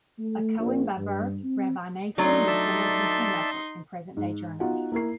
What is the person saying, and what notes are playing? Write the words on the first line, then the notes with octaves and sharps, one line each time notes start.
A kohen by birth, Rabbi Nathan was born in Hanover, in present-day Germany.
A3
A#1
G2
C4
F#3 A3 D4 D#4 C6
D5 E5 A5
G#2
B3 D#4 F4 F#4 F#5
A#3 E4 A#4 C7